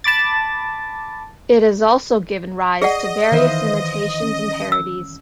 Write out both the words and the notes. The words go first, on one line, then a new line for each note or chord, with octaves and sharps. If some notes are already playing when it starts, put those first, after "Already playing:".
It has also given rise to various imitations and parodies.
A5 B5 D6 A6
G#4 D5 D#5 F#5
D#3 E3 B4 C5 E5 F5
C#4
E6